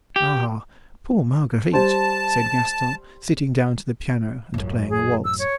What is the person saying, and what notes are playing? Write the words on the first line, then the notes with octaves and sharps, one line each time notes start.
"Ah, poor Marguerite!" said Gaston, sitting down to the piano and playing a waltz.
G4
G3 C5 A5
A1 F#2
G#4
E6
C#5